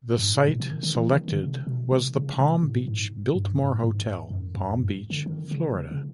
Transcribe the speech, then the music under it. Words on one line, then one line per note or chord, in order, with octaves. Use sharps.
The site selected was the Palm Beach Biltmore Hotel, Palm Beach, Florida.
G2
G#2
A2
A#2
B2
C3
D#3
D#3
E3
D#3
D3
C3
B2
C3
C#3
C3
A2
G#2
G2
G#2
G#2
F#2
F#2
G2
D3
D#3
C#3
C#3
C#3